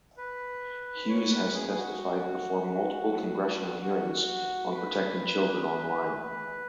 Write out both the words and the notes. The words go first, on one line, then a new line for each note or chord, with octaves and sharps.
Hughes has testified before multiple congressional hearings on protecting children online.
B4
C#5
B4
G#4
G#4
F#4
F#4
B4